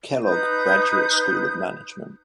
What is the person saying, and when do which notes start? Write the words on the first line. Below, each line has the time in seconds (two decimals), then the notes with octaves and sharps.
Kellogg Graduate School of Management.
0.25 D#4 B4 D#6 G6